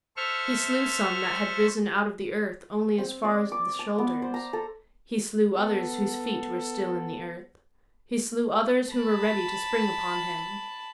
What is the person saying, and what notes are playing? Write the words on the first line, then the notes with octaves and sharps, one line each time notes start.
He slew some that had risen out of the earth only as far as the shoulders; he slew others whose feet were still in the earth; he slew others who were ready to spring upon him.
A4 C5 E5 C#6 F6
C4
D5
D6
A5
B3
C5
A#5
A4
B3 A4
A5 B5